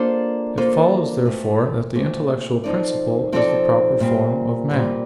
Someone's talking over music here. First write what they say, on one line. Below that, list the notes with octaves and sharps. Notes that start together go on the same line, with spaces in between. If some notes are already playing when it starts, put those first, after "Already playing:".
It follows therefore that the intellectual principle is the proper form of man.
Already playing: A#3 D4 F4 A4 C5
A#3 D4 F4 A4 C5
A#2 A3 C4
A#2 A3 C4
F3 C4 D#4 A4 D5
F3 C4 D#4 A4 D5
A#2 G3 C4
A#2 G3 C4